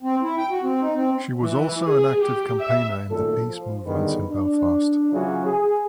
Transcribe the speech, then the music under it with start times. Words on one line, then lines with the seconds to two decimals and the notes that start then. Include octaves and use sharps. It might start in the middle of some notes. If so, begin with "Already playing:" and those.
She was also an active campaigner in the peace movements in Belfast.
0.03 C4
0.22 E4
0.38 G5
0.50 F#4
0.63 C4
0.81 D#4
0.94 C4
1.43 E3
1.85 G#4
2.21 G4
2.58 E5
3.10 G#1 F#2 A#2 A3 A4
3.48 F3
3.85 E2 G#2 D3 D#3 G3 B4
4.29 D4
5.12 C#3 E3 F#3 F4 F#4 G#4
5.46 G#4